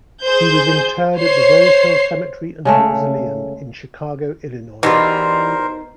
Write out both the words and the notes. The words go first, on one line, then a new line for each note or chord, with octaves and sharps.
He was interred at the Rosehill Cemetery and Mausoleum in Chicago, Illinois.
G#4 C5 G6
C5 C#5 C7
C#3 G#3 A3
B2 E3 G3 D#4 F4 A#4 C5 C7